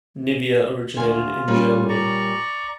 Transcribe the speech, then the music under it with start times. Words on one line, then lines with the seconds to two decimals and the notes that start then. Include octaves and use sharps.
Nivea originated in Germany.
0.97 D2 G#2 F4 G#5
1.09 F4
1.48 A#2 G3 C#4
1.89 D5 A#5 C#6